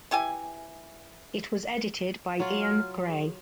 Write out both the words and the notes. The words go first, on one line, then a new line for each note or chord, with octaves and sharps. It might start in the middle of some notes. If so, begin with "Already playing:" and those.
It was edited by Ian Gray.
E3 E4 G4 G#5
F#3 F4
F6
G#4